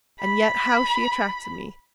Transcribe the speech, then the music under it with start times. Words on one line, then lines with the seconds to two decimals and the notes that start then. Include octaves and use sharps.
And yet how she attracted me!
0.20 B5